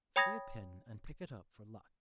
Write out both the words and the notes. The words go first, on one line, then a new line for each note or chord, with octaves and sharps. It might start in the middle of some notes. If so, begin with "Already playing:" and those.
See a pin and pick it up for luck.
C#5 G5 B5 D#6 G#6 A#6